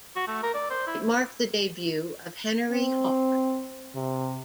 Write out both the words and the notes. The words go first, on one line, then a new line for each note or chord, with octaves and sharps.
It marked the debut of Henery Hawk.
F#4
A3
A#4
D5
C5
E4
C4
C3